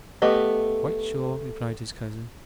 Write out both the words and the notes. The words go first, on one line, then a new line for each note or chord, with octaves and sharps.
'Quite sure,' replied his cousin.
A3 B3 G4 D#5